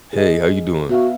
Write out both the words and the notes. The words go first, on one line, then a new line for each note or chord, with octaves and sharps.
Hey, how you doing?
G#4 D#5
B3 F#4 E5 F5